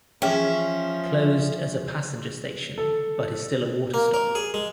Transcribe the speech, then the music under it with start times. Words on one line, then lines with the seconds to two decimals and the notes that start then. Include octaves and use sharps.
Closed as a passenger station but is still a water stop.
0.22 E3 F3 C#4 G#4 E5 G5
2.78 A4
3.94 A#3
4.14 A#4
4.35 G#4
4.54 G#3